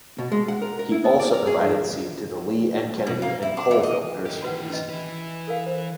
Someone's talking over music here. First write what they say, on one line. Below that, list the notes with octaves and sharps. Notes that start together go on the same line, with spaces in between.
He also provided seed to the Lee and Kennedy and Colvill nurseries.
B2
G#3
F#5
A#4
A#4
E4
B3
D5
A#4
G#4
G2
B2
A#3
E4
D4
E3
D#5
E3 G4
F#4 B4 F#5
C#4 D#5
E3 B4
A4 A#4 F5
C5